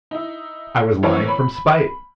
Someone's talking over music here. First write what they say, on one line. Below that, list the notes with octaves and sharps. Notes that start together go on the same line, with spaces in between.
I was lying from spite.
D#4 E4
E3 A#3 C4 A#4 C#5
B5